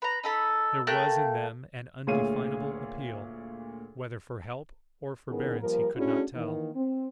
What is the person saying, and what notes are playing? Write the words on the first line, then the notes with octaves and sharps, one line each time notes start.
There was in them an undefinable appeal, whether for help or forbearance he could not tell.
B4 A#5
D#4 A4 B5
A3 A#3 G5 F#6
D2 A#2 G#4 C#5 F5 D#7
D#3 B3 C#4 E4 G#4 A#4
F3 G3 A#3 A#4
A3 C#4 D4 E4 F#4 G#4
D#3 E3 A#3
C4